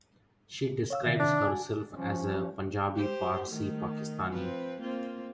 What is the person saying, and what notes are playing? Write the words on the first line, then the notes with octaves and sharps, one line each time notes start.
She describes herself as a "Punjabi-Parsi-Pakistani".
C#5 F5 E6
C3 D#3 E5
D4
F#4 G#5
F3 C#4
G4 C5
D#3 A3
F3 C4 B4
A#3 C4 F4